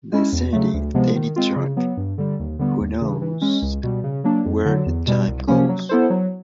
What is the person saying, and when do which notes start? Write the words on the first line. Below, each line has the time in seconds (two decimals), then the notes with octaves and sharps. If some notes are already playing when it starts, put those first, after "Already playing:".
The Sandy Denny track, Who Knows Where the Time Goes?
0.12 G#3 C#4 E4
0.32 E2
0.52 C#3 F#3 A3
0.73 D2
0.94 C3 F3 G#3 B3
1.16 D#3
1.36 G#3 C4 F4
1.56 C#3
1.76 F#3 B3
1.97 G2
2.18 D3 G3
2.39 D#2
2.59 D3 G3 B3
2.80 D#2
3.01 C#3 E3
3.22 E3
3.41 G#3 C#4
3.62 C#2
3.83 B2 G3
4.04 C#3
4.24 F#3 A#3 D4
4.46 F2
4.65 D3 F#3
4.86 E2
5.07 B2 G3
5.27 C2
5.48 C3 F3 A#3 C#4
5.69 F#3
5.89 B3 E4 A4 C5
6.10 F#3